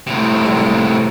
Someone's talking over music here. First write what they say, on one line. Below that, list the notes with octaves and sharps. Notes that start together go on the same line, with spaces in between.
Had they?
A2 C3